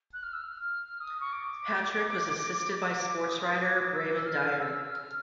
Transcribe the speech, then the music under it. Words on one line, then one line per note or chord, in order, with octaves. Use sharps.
Patrick was assisted by sportswriter Braven Dyer.
F#6
F6
E6
F6
D#6
C#6
D6
D6
D#6
D6
E6
E6
F6
E6
F6